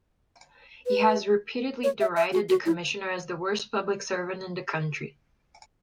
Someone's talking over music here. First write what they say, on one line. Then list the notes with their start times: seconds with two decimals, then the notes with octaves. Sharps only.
He has repeatedly derided the commissioner as the worst public servant in the country.
0.86 B4
1.84 C#5
2.01 E5
2.17 E5
2.33 F#4
2.49 F#4
2.66 E4